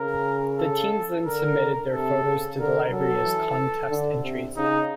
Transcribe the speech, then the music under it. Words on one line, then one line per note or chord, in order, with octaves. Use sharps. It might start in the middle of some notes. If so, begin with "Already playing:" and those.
The teens then submitted their photos to the library as contest entries.
Already playing: C#3 A#4
A4
D3 A#4
C3 A4
C#3
D3 A#4
F#3 A4
E3
D3
C3
C#3 D#4